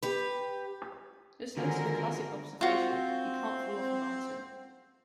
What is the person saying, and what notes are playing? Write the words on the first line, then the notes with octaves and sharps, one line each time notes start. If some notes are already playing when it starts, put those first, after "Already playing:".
This led to the classic observation, You can't fall off a mountain.
G4 B4
B2 D3 D#3 F3 G#3 F#4 A#4 G#5
C4 F4 F#4